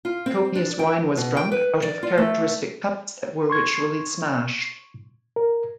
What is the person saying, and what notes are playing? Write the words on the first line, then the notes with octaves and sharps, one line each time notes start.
Copious wine was drunk, out of characteristic cups that were ritually smashed.
F4
C4
D4
G5
B2
G5
B4
D5
F4
A3
C6 C#6 G#6
A#4